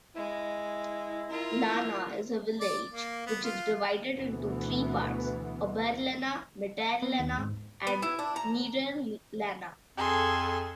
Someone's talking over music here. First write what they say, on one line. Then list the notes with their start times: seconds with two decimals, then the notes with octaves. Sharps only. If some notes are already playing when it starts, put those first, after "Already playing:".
Lana is a village which is divided into three parts: Oberlana, Mitterlana and Niederlana.
0.16 G#3 E4
1.30 F4 A#4
2.60 D5
2.93 A#3
3.26 B3
3.44 F4
4.17 D2 B2 E3 B3
7.02 B3
7.19 D#2
7.38 G#2
7.87 B3
8.02 E4
8.19 D4
8.36 A#5
9.97 F2 G#4 A4 C6